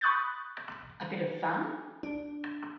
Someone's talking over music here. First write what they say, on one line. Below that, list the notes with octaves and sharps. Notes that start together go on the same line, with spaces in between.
A bit of fun?
B5 C#6 D#6 F#6 G6 A6
D4